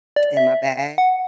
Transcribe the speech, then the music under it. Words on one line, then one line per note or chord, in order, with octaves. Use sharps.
in my bag,
D5
E5
F#5